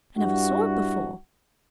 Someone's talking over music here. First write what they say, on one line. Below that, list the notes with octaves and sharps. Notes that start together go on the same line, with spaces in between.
I never saw it before.
G2 E4 F#4 F#5